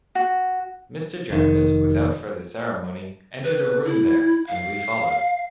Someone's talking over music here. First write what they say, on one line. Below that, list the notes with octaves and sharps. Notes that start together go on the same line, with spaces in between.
Mr. Jarndyce without further ceremony entered a room there, and we followed.
F#4
F1 D#3
B4
E4
F5